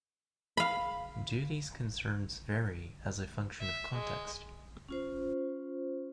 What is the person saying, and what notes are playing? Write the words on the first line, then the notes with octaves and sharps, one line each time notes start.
Do these concerns vary as a function of context?
F5 B5
E5
G#3
C#4 F4 C5